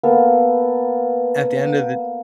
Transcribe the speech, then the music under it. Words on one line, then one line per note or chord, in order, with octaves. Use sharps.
at the end of the
A#3 B3 A4